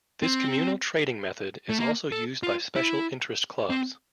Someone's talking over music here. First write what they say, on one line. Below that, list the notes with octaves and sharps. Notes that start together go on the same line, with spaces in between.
This communal trading method is also used by special interest clubs.
C4
A3
A#3
A4
F4
E4
C4